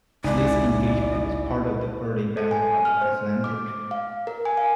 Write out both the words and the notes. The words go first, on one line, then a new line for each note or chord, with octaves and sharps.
This engagement was part of the early Battle of the Atlantic.
G#1 C#2 D#4 E4 D5 G#5
A4
G#5
F6
C5
D6
F5
A#4
G#5
F5